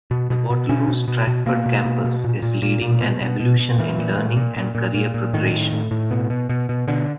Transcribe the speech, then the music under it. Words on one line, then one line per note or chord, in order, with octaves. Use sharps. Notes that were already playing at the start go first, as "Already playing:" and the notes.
The Waterloo Stratford Campus is leading an evolution in learning and career preparation.
B2
B2
B2
B2 C#4
B2
B2
B2
B2 A#3
B2
B2
B2
A#2
A#2
A#2
A#2
B2
B2
B2
B2
A#2 E3
A#2
A#2
A#2
A#2
A#2
A#2
A#2
A2 D#3
A2
A2
A2
B2
B2
B2
B2
B2 D3